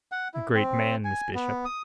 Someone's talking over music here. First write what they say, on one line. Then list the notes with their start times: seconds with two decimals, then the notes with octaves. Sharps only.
A great man, Miss Bishop.
0.12 F#5
0.34 E4
0.54 C4
1.05 G#5
1.35 B3
1.65 D#6